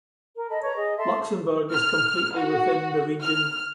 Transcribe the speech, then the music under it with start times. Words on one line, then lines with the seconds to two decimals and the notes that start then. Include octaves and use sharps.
Luxembourg is completely within the region.
0.35 A#4
0.49 A4 D#5 B5
0.63 B4 C#5 A#5
0.76 G#4 D#5
0.98 A4 E5 A5 C6
1.72 F6
2.37 F#4
3.21 F6